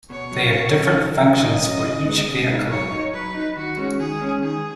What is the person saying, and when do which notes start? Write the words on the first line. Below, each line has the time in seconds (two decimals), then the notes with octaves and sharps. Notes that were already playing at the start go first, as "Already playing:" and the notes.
They have different functions for each vehicle.
0.10 B2 C#5
0.32 F#3 C#4
0.53 B2
0.75 F#3 C#4
0.97 D#3
1.18 F#3 C#4
1.40 D#3 D#5
1.62 F#3 C#4
1.84 C#3
2.05 G#3 B3 D#4
2.26 C#3
2.48 G#3 B3 D#4
2.70 F#3 C#5
2.91 D#4
3.13 F#3 B4
3.35 D#4
3.56 D#3 F#4
3.77 G#3 C#4
3.99 D#3 G#4
4.21 G#3 C#4
4.42 D#3 G#4